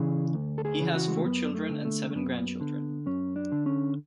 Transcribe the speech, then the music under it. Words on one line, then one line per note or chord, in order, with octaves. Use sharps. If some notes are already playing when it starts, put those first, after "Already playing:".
He has four children and seven grandchildren.
Already playing: C#3 E3 G#4
D2
A4
G#4
C#3 E3
F#4
G#3
A3
F#2 B3
A3
D3
A3
A3
F#2 B3
D3
F#2 C#4
D4
D3
C#4